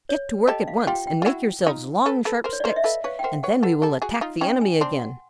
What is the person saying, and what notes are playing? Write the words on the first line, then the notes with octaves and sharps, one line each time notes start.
"Get to work at once and make yourselves long sharp sticks, and then we will attack the enemy again."
C#5
G4 A4 D#5
F5
F#5
F4 G4 G5
G5
F4
E4 F#4 F#5
D#4 F4
A4 B4
A4 B4
A#4 C5
C#5
D5
A#4 C5 D#5
E5
A4 B4 F5
B4 C#5 F5
G5
A#4 C5 F#5
B4 C#5 F#5
A4 B4 F#5
G4 A4
F#4 G#4
D#4 F4
C#4 D#4 G5
G#5
C4 D4 C6
F#5